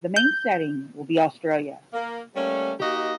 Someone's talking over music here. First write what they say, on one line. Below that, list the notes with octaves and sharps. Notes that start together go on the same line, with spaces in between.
The main setting will be Australia.
G6
A#3
G3 A3 A#3 C#4
A#3 D#4 F#4 G4 D#5